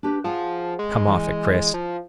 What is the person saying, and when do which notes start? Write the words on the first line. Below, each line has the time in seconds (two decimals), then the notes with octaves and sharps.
"Come off it, Chris!"
0.03 D4 G4 B4
0.24 F3 G#4 F#5 A5
0.79 G#3
1.08 E3
1.74 F3